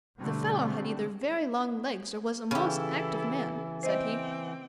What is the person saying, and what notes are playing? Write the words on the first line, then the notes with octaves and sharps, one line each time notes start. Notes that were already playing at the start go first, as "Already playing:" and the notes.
"The fellow had either very long legs or was a most active man," said he.
B2 D3 G3 A3 C4
C#3 E3 E4 G4 A4 B5
C4 C5 D#5 E5 G5